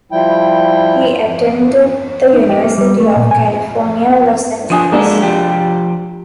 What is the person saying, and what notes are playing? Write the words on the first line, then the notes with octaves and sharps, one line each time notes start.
He attended the University of California Los Angeles.
F3 G3 E4 G5
D#4
G4
A#3
G3
A3
A#2
G#5
F3 D4 G#5 D#6 D#7
G#3 A#3 D4 F#4 A4
F3 G4